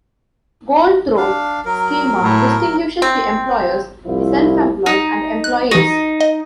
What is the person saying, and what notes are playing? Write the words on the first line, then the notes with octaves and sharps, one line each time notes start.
Goldthorpe schema distinguishes the employers, the self-employed, and employees.
D4 F5
F#3 A#4
A2
C4
C2 F3 E4
D#4
F#6
E3 D#4 F#4
D#5